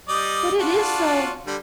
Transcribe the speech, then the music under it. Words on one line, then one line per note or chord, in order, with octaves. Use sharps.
"But it is so."
G3 D5 D#5
D4 F4 F#4
D3 G3